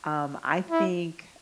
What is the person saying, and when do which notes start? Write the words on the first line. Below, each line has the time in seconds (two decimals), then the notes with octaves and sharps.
Um, I think I
0.71 E4